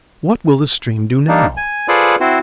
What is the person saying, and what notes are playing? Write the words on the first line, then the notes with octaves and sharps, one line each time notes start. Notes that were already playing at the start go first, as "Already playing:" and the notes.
What will the stream do now?
G3 A#3 D4 D#4
G#5
F4 G#4 A4 B4 C5 D5
C4 E4 F#4 C5